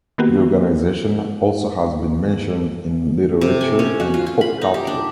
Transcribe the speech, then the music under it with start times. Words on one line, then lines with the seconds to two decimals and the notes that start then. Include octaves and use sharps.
The organization also has been mentioned in literature and pop culture.
0.18 D#3 A#3 B3 F#4 G4
3.41 C3
3.61 G#5
3.79 C#4
4.00 F#4
4.14 F4
4.27 F4
4.41 B5
4.61 D#4
4.74 G4
4.87 D4